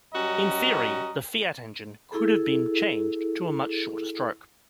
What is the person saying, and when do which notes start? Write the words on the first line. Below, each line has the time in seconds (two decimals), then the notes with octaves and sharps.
In theory, the Fiat engine could have been changed to a much shorter stroke.
0.14 F#2 G3 C#4 F#4 D#5 A#5
2.12 E4 G#4 A4